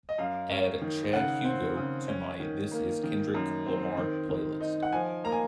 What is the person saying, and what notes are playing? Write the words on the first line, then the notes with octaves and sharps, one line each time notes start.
Add Chad Hugo to my This Is Kendrick Lamar playlist.
D#5
F#2 F5
C#4
D#3
C#3 F#5
C4
C#3
C#4
D#3
A#3
D#3
F#2
C4
D#3
D#3
D#4
F#5
F3 G#5
A#3 A#5
G#5